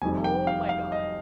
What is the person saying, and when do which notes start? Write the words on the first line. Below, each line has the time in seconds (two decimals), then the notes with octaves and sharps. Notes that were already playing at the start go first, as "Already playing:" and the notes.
Oh my god.
0.02 F1 F2 D#3 G3 G#5
0.24 G5
0.47 F5
0.69 F5
0.92 D#5